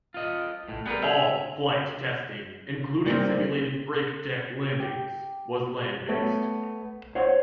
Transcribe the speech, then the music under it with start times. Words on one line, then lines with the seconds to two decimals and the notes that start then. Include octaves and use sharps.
All flight testing-including simulated braked deck landings-was land-based.
0.14 F4 D#5
0.68 A2
0.86 G3 B3 G4 G#4 A#4 B4
1.02 G#4 E5
3.06 G3 A#3 C4 A#4
4.80 G4
6.09 A3 B3 C#5
7.15 C5 C#5 F#5